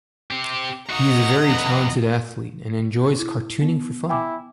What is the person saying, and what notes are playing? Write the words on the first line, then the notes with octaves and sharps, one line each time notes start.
He is a very talented athlete and enjoys cartooning for fun.
C4 G4
D#4 F#4 D#5 F#5 A#5
F2 B4
E4
B3
E4 G5 G#5 D6